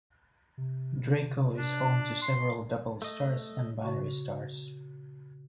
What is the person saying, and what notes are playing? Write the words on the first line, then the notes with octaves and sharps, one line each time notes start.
Draco is home to several double stars and binary stars.
C3
D4
C6
A3 D#5
A#2 C#3 F#4 C#6